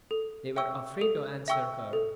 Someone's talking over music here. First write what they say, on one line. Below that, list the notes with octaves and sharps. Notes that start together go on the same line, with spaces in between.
They were afraid to answer her.
A4
E5 G5 C#6 E6
A4
E5 G5 C#6 E6
A4